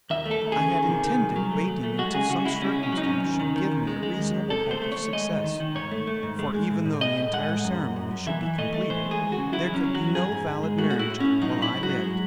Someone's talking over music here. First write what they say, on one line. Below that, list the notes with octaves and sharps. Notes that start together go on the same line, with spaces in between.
I had intended waiting until some circumstance should give me a reasonable hope of success; for, even though the entire ceremony should be completed, there could be no valid marriage while I lived.
D#2 E5
A3
A4
D#2
G#4
C#3
D#3
C3
D#3
C2
F#3
A3
F#3
A3
G#3 F#4
C#3 G#4
C#3 F#4
G#3 E4
C#2 C#4
C#2
C#4
F#3
D#4
C#4
C3
D#2
D#3
D#3
D#2
G#3
G#3
D#2
D#2
C3 A4
A3 C5
A3
C#5
A3
G#3 D#5
D#2
D#3
D#3
G#2 C#5
A3
A3
G#2
G#3
G#3
A2
A2
A2 D#5
A2
G#3 F#5
A2
F#2
F#2
F#2
F#2
E3 E5
E3
A3 D#5
A3
E3 C5
G#3
G#4
D#2
C#3 F#4
F#3 E4
E2 C#4
F#3
F#4
E2
G#2 G#4
G#2
G#2
G#3
A3 F#4
F#4
A2
E4
A2
A2 C#4
F#3 D#4
F#3 E4
G#2
F#4
F#3
G#3